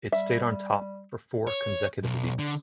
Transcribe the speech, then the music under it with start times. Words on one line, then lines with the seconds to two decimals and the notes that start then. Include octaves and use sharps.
It stayed on top for four consecutive weeks.
0.12 G3 E5
1.47 C#5
2.03 B1
2.39 D3